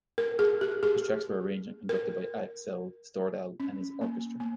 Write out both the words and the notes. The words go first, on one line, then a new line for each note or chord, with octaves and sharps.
The tracks were arranged and conducted by Axel Stordahl and his orchestra.
A#4
G#4
G4
G#4
A#4
C#4
A#3
A#3